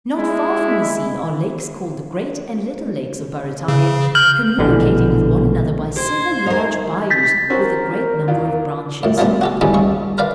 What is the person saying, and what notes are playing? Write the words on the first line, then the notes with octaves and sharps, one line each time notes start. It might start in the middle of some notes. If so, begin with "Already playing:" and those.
Not far from the sea are lakes called the great and little lakes of Barrataria, communicating with one another by several large bayous with a great number of branches.
G#3 E4
C#3
F6 G6 F#7
A#1 B2 D3 E3
C5 G#6
D#4 A#4
G6 A6 B6
C4 C#4 F#4 A#4
E2 F4 D5
F#2 A2
F3 G3 A3 B3 D4
F#4 G4 A4
E2 G2 C#4 D#4 A4 B5
G2 C#6
A#4 B4 D5 F5